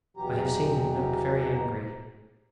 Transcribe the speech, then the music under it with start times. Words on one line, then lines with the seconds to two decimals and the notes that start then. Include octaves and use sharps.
I have seen him look very angry.
0.17 E2 B2 E3 F#3 G4 A#5